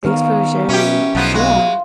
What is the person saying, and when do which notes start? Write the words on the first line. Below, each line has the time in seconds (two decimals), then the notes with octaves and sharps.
thanks for sharing Yeah,
0.05 D#3 B3 A#4 C#5 F5
0.69 B2 E3 C#4 G4
1.15 B1 F3 F#3 B3
1.34 G#3 F4 F#4 B4